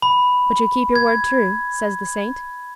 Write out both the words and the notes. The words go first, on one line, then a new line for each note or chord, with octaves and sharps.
"But you'll keep your word true," says the saint.
B5
G#6